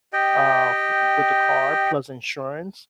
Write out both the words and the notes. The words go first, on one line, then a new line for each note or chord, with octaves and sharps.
uh, f with the car, plus insurance,
G4 D#5 G5